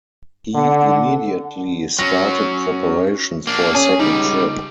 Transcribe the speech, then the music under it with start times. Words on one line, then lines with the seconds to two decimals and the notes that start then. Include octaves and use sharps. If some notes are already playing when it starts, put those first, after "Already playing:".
He immediately started preparations for a second trip.
0.55 D3 F#5
1.99 F#3 C#4 A#6
3.47 A#3 D4
3.74 C#4 G#4
3.99 C#2 G3 D#4